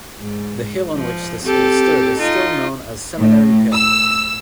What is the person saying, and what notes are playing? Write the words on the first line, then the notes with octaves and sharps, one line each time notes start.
The hill on which the school stood is still known as Seminary Hill.
G#2
F3
C4 G4 A4
D#4 F4
A2
E6